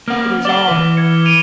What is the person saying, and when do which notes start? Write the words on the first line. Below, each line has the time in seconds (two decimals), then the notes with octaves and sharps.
It is all.
0.08 A#3 F#5 F6
0.45 D5 F#5 D6 G7
0.68 E3 B4
0.97 G#6 C#7
1.26 D7 D#7 F7